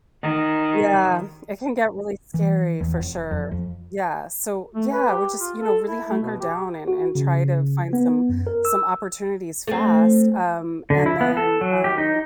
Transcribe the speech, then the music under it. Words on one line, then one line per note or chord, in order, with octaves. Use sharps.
Yeah, it can get really scary for sure. Yeah, so, yeah, we're just, know, really hunker down and and try to find some some opportunities fast, um, and then, um,
D#3
E3
E2
F1
F2
F2
A3
B4
G4
F4
A4
E4
A3
B2
G4
F#4
C#3
B3
F#2
A#4
E6
A3 C4
D3
E4
B3
A4
F#3
G4
D#4